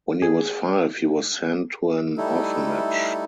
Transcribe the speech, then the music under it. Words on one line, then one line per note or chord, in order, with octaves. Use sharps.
When he was five he was sent to an orphanage.
G#4
G3 A3 D#4 E4 A4